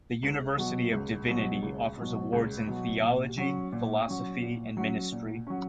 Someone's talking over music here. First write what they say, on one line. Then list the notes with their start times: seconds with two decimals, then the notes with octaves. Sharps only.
The University of Divinity offers awards in theology, philosophy and ministry.
0.23 C#2
0.58 B2 F#3
0.93 C#2
1.28 B2 F#3
1.63 C#2
1.97 B2 F#3
2.33 C#2
2.67 B2 F#3
3.02 A#2
3.38 F#3 C#4
3.72 A#2
4.07 F#3 C#4
4.42 A#2
4.77 F#3 C#4
5.12 A#2
5.47 F#3 C#4